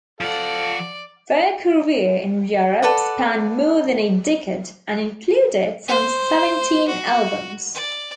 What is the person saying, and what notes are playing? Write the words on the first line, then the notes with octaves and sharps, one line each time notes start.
Their career in Europe spanned more than a decade and included some seventeen albums.
F3 A4 D5 F5 F#5
A4 B4 D5 F#5
C5
F#4
D5